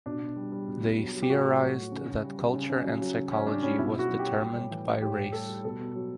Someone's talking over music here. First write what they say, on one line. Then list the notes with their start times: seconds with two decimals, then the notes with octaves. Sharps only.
They theorized that culture and psychology was determined by race.
0.06 B2 D4
0.21 B2
0.36 G3
0.52 G3
0.68 B2
0.83 B2
0.98 F#3
1.14 F#3
1.22 G4
1.29 A2 F#4
1.46 A2
1.61 F#3
1.77 F#3
1.92 C#3
2.08 C#3
2.23 G3
2.39 G3
2.53 C#3
2.70 C#3
2.84 F#3
3.01 F#3
3.16 C#3
3.31 C#3 C#4
3.46 G3 D4
3.62 G3 C#4
3.79 B2 E4
3.93 B2
3.99 F#4
4.08 F#3
4.19 G4
4.24 F#3
4.40 G3
4.56 A2
4.71 E3
4.87 A2
5.02 A2 G4
5.17 A2
5.32 G3 A4
5.49 G3
5.65 B2 A4
5.80 B2
5.95 F#3